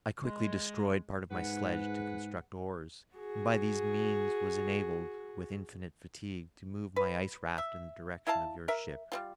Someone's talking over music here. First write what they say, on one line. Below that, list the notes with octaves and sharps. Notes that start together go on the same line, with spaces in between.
I quickly destroyed part of my sledge to construct oars, and by these means was enabled, with infinite fatigue, to move my ice raft in the direction of your ship.
G#3
G#2 G#4 B4 F#5
F#4 G#4
B4
E5
E4 D#5 F5 A5
A#4 E5
G3 C4 F4